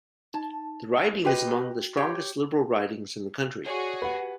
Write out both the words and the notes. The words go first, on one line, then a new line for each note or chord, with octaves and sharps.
The riding is among the strongest Liberal ridings in the country.
D#4 A5
F#4 G4 B4 D#5 G5
G4 C#5
F#4 G#4 C#5 D5 C#6
G4 B4 F#5